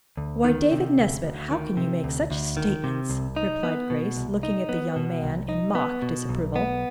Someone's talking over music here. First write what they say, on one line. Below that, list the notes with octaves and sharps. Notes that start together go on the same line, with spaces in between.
"Why, David Nesbit, how can you make such statements?" replied Grace, looking at the young man in mock disapproval.
D2
D#3
C3
D2
D2
D#3
C3
D2
D2
D#3
C3
C2
D#4
B3
B2
C2
D#4
B3
B2
C2
D#4
B3
B2
B1
B3